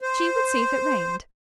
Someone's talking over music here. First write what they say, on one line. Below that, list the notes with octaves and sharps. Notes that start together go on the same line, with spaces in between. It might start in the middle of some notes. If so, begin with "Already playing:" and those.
She would see if it rained.
C5